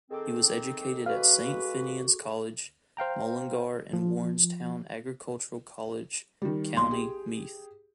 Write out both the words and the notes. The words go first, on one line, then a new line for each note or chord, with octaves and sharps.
He was educated at Saint Finian's College, Mullingar and Warrenstown Agricultural College, County Meath.
D#3 C4 G#4 A4 D6
G#3 F#4 B4 F5
C5 F5 G5 A#5
F3
D#3 G3
B1 C6
G4 G#4